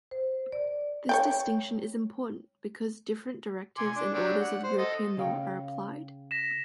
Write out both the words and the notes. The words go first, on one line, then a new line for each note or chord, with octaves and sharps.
This distinction is important, because different directives and orders of European law are applied.
C5
D5
C#5 D5 G5
G#5 C6 D6
D4
F#3 G3 D4
F#5
C5
A4 D#5
C#3 F5 G5
A#6 B6 E7